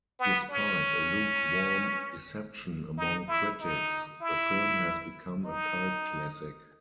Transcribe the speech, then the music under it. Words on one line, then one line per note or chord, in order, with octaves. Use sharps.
Despite a lukewarm reception among critics, the film has become a cult classic.
B3
C#4
D#4
E4
D#4
E4
D#4